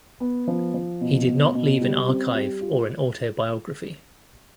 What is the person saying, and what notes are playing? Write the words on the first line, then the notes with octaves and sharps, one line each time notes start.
He did not leave an archive or an autobiography.
B3
F3
F3
B2
B2
B2
G3
C4
G3
F4